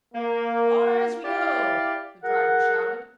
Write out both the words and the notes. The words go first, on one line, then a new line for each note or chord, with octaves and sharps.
"Far as we go!" the driver shouted.
A#3
E4 G4 D5 F5
F#4 G#4 A#4 F#5